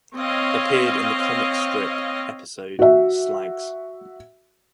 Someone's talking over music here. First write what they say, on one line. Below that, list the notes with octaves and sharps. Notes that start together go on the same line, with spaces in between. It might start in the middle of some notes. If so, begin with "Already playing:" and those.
Appeared in the "Comic Strip" episode "Slags".
C4 C#5 D#5 F5
F#4 E5